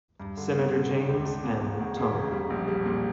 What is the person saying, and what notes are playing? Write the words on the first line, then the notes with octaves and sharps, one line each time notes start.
Senator James M. Tunnell.
G2
D3
B3
D3
D4
C#2
D4
B2
E1
D2
C#3
E1
G3
A#1
G3
A#2